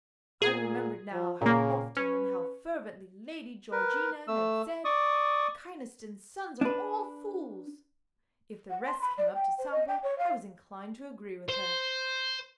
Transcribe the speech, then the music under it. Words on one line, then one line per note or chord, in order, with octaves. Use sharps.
I remembered now how often and how fervently Lady Georgina had said, 'Kynaston's sons are all fools.' If the rest came up to sample, I was inclined to agree with her.
A#2 G#4
F3
A#2 C#3 A#3
C#4 B4
A#4 B4
A3 E6
D5 C#6 D#6
D4 B4
F#5
C6
B5
D5
G5
C5
D#5
G5
C#5
F5
C5